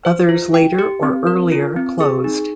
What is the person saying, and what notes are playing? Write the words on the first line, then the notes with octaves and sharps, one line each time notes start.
Others later or earlier closed.
C5
F4
G5
G4
C4
A#4
F4
C4
G#4
D#4